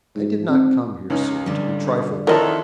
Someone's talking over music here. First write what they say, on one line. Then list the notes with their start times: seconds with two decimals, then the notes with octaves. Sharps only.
"I did not come here, sir, to be trifled with."
0.16 G#2
0.49 C4
1.10 C#2 C#4 D#4
1.46 D3 G3
2.27 F2 D3 D#3 E4 A#4 C#5 D#5 A5